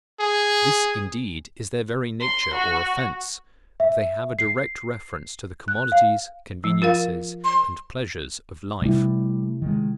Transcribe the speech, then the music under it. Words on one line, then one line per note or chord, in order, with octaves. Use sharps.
This indeed is their very nature or offence: they have a direct reference to the commodities, conveniences, and pleasures of life.
G#4
C6
F#4
E5
C7
F#6
F5
F3
F4 A#4 F5
C6
C3 G3 A3 E4
D#3 G#3